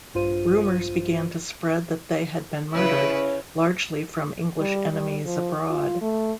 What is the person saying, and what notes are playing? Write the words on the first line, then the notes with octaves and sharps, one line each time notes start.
Rumours began to spread that they had been murdered, largely from English enemies abroad.
A#1 G2 F4 C5 D#7
C#3 C#4 E4 B4
G3
G3
F3
F4
A3